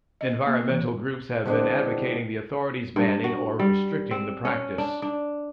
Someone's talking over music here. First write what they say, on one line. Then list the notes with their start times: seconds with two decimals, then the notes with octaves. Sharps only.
Environmental groups have been advocating the authorities' banning or restricting the practice.
0.21 D#5
0.46 A#3
0.69 E3
1.45 D3 E3 G3 G#3 C4 D4
2.96 G2
3.24 F#4
3.59 G3
4.11 C4
4.45 C#4
4.78 D4
5.02 D4